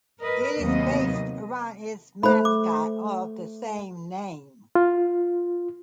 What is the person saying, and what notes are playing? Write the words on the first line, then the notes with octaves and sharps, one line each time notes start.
It is based around its mascot of the same name.
A#4 B4 D#5
D#2 C3 F#3 B3 C4 D#5
A3 C5 B5
D6
F4